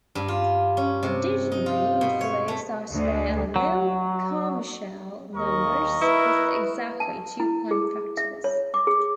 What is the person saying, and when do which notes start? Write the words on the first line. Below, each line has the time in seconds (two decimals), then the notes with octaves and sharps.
Additionally, it follows that there are no Carmichael numbers with exactly two prime factors.
0.15 G2
0.28 F4
0.77 C#4
1.03 C3
1.52 D#4
1.66 F4
2.01 B2
2.21 C#5
2.48 A3
2.92 D2
3.56 F#3
5.36 D#2 A#4 D#5 C#6
6.02 E4 B4
7.00 A5
7.40 E4
7.71 G#4
8.17 E5
8.44 C#5
8.74 D6
8.87 G#4